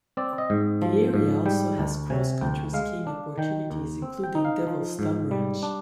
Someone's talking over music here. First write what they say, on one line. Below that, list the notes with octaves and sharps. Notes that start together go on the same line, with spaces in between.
The area also has cross-country skiing opportunities, including Devil's Thumb Ranch.
C4 D5
D#5
G#2
F3
G#2
G3 G5
D2
C3 G#5
D2 G5
G#3 F5
D4
D#3 G5
D#2
C4
G5
D#4
F5
F3
G#2
G3
D4